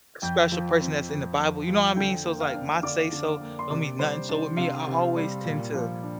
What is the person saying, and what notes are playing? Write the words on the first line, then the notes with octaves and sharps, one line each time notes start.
special person that's in The Bible. You know what I mean? So it's like my say so don't mean nothing. So with me, I always tend to
F2 G5 G6
F3
C4
F2
F2
F3
D3 G5 G6
A#3
F5 F6
D4
D3 D5 D6
D3
A#3
C6
C3 D5 D6
G3 C5 C6
D4
C3 F5
C3
G3
A#2
F3
D4